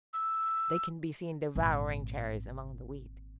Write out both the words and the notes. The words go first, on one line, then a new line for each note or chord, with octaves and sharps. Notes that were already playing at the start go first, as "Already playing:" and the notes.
They can be seen devouring cherries among the wheat.
E6
G#1 A#2